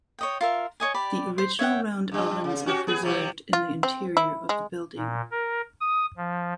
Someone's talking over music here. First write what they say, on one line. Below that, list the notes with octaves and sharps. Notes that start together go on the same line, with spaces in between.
The original round ovens are preserved in the interior of the building.
C#5 D#5 G5
F4 A#4 E5
C#5 D#5 G#5
G4 D5 B5
C5
C#5 E5 F#5 G5
G2 G3
C#3
C#4 F#4 G4
B3 G#4
C3 F3 G3
F4
C4
E4
G#3
A#2
A#4
D#6
F3